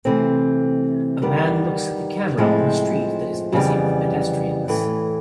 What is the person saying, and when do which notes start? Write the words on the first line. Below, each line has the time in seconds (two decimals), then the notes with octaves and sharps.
A man looks at the camera on a street that is busy with pedestrians.
0.05 C3 E3 A3 C4
1.22 D#3 G3 B3
2.37 A2 F3 G#3 C4 E4
3.52 F2 C#3 E3 G3 B3
4.68 A2 E3 A3